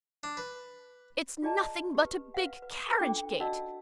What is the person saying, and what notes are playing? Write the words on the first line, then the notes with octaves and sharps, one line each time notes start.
It's nothing but a big carriage gate!
D4
B4
F4 G#4 D5 D#5 A5 A#5
G4 B4
B4 F5 F#5
B4
C#4 D4 F4 A4 G5 D6
F#4 D5 D#5 F#5 A5 E6